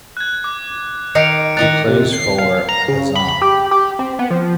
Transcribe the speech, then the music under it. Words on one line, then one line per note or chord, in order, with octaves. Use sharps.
He plays for Azam.
F#6 G#6
D6
D#3 D#4 F5 C#7 D7
D#3 D#5 A#5 F#6 A6
C3
C7
F5
A#5
C#3
B5
B5
G4
G4
C4
B3
F3